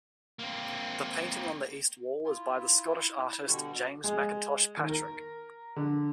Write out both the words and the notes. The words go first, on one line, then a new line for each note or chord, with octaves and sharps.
The painting on the east wall is by the Scottish artist James McIntosh Patrick.
A#3 C4
E4 F4
B2 D3 G3 F#4
G#3
D#3
A#4
D3